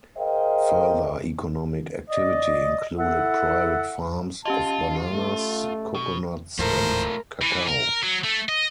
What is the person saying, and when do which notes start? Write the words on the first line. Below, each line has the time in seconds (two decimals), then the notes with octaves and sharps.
Further economic activity included private farms of bananas, coconuts, and cacao.
0.17 G#4 A#4 C5 D#5 F5 G5
2.10 D5 D#5
2.98 E4 A4 E5 F#5
4.45 C#4 F4 G4 D#5 A5
5.12 A3
5.95 B2
6.59 D1 G#2 E3 A3 F4 A4 A#4 C5
7.42 E3
7.67 A#4
8.02 F#3
8.24 A3
8.48 D#5